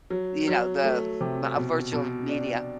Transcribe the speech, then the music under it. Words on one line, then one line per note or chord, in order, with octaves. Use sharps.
You know, the the, uh, virtual media,
F#3
F#3
A3
C3
B2
B2
D4